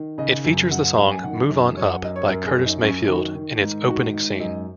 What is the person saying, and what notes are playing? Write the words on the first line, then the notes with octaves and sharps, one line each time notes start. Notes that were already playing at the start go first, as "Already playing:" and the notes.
It features the song "Move On Up" by Curtis Mayfield in its opening scene.
Already playing: D#3
C#3 D#5
F#2
F#2 F#5
F#5
F#2 F#5
G#5
D#3 F#5
F#2
F#2 C#5
F#5
F#2 D#5
C#5
F#2 A#4
G#4
F#2
D#4
F#2 C#4
D#3 F#4
D#3
G#2
D#3 F#4
G#2
F#2 D#5